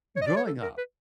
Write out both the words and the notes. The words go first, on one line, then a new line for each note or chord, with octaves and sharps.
growing up
C#5
D#5
D5
C#5
A4
A#4
B4